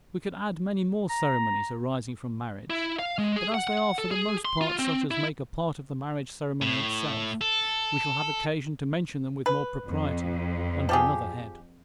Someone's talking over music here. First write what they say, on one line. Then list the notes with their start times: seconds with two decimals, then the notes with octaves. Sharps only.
We could add many more ceremonies arising from marriage, but as they are for the most part such as make a part of the marriage ceremony itself, we shall have occasion to mention them with more propriety under another head.
1.10 A#5
2.70 E4
2.99 F5
3.18 G#3
3.36 G#4
3.54 F#5
3.67 F#5
3.98 A4
4.11 G#4
4.45 C6
4.61 F4
4.79 C4
5.11 E4
6.62 A2
7.41 A4
9.46 B4
9.87 F2
10.89 F3 G4 G#4